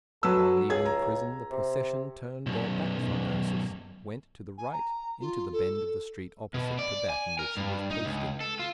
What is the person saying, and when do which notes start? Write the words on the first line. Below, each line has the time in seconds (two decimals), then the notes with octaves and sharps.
On leaving the prison, the procession turned their backs on Ursus, went to the right, into the bend of the street opposite to that in which he was posted.
0.23 F#3 A4 B4 E6
0.70 C#2 G#4 G#6
0.85 A#5
1.51 C3
2.46 B1 F#2
4.58 G#5
4.72 A#5
5.20 F4
5.52 A4
6.54 B2
6.79 D5
7.09 G#5
7.39 A#4
7.57 G2
7.91 D#4
8.05 C#2
8.41 A4
8.59 F4